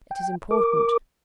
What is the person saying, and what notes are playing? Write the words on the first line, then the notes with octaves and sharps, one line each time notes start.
It is important.
G5
A#4 D6